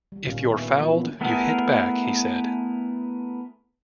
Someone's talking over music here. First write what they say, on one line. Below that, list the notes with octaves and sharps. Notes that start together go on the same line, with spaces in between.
If you're fouled, you hit back, he said.
G3
A#2 D#3 C#4 D4 F5
B3 G#4
B4 E5
F3 A#3 F4
A#3 B3 C#4 D4 E4 F#4
A3 B3 E4 G#4 A#4